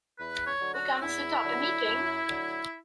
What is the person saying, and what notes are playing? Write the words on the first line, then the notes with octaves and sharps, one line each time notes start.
We can set up a meeting?
E2 B4
C#5
D3 F#3
F#4
E2 E4
D3 F#3
F#2
D3 F#3